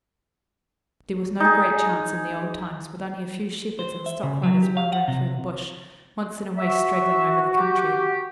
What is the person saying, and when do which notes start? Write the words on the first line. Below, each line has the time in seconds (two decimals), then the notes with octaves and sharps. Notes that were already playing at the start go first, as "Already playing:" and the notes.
There was no great chance in the old times with only a few shepherds and stock-riders wandering through the bush, once in a way straggling over the country.
1.40 D#4 G#4
3.79 C5
4.06 E5
4.23 C#3
4.43 F#3
4.63 G4
4.77 F5
4.93 F#5
5.08 C3
6.58 F#4 E5
7.57 G4